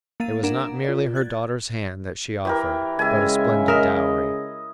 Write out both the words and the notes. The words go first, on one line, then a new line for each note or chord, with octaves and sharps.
It was not merely her daughter's hand that she offered, but a splendid dowry.
A#3 F5 A6 D#7
D4 A#4 F#5 A#5 D7 E7
F4 D5
F#6 G#6 A6
E3 G4 A#4
C#3 G#3 E5 G#5
A#4 D#5 E5